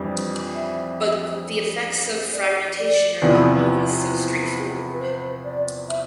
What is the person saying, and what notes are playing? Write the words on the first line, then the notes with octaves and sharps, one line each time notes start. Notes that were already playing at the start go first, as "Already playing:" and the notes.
But the effects of fragmentation are not always so straightforward.
Already playing: F2 E3 G3 D4 G4
E5
D5
D5
E2 C3 F3 B3 E4
B4
C5
D5
E5